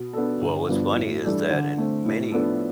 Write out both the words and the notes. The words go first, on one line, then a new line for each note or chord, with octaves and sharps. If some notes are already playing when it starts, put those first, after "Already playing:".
Well, what's funny is that in many
Already playing: B2
B3 D4 A4
G1
G2 F3 B3 D4
A2
E3 G3 D4 A4
D3
A3 C4
A2
F3 B3 D4 A4